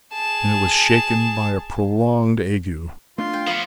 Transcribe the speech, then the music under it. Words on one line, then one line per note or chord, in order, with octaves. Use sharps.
Then it was shaken by a prolonged ague.
G#4 A5
A3 D4 F4 C6
G5
F3 B3 B4 F5